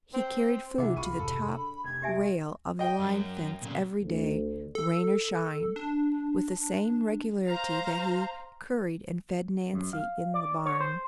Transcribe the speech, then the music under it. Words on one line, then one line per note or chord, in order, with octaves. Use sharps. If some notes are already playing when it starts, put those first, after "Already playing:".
He carried food to the top rail of the line fence every day, rain or shine, with the same regularity that he curried and fed Nancy in the barn.
C4
C3 E3 D4 E4 G#4 E5 F#5
C2 F4 B5 C#6 D#7
F2 G#2 C3 A4
D4
F1 G#6
G4 E5 G#5
D#5 G5
F#2
A#2 C#3
D2
A4
D4
C5 F5 A#5
F#2
F5
D5
C#5
C5